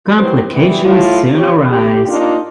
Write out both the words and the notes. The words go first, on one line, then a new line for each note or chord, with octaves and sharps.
Complications soon arise.
F#3 E4 G4 B4 C5
E3 G3 B3
A2 F4
G4 C#5
G4
A#3 D4 D#4 F4